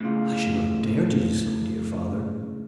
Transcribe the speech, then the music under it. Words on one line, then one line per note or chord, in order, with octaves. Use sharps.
"I should not dare to do so, dear father."
A2 C#3 F4